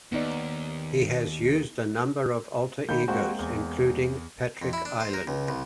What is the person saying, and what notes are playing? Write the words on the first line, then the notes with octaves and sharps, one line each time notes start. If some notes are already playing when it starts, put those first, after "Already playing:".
He has used a number of alter egos, including Patrick Ireland.
D#2 B3 D#4 D5
D#3 A#3 B5 G6
G#3 A#3 C4 F#4 C5
E2
F2
E4
D4
C5
A#4
C#2
C2